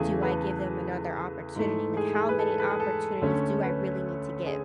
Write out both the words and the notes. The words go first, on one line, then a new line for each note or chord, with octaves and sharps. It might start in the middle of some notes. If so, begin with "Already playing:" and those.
do I give them another opportunity? Like, how many opportunities do I really need to give,
Already playing: E2 C#3 E3 A3 G#4
B4
A4
G#2 E3 A3
G#4
G#4
B4
A4
B4
G#4
A4
D2 D3 A3 C#4
B4
G#4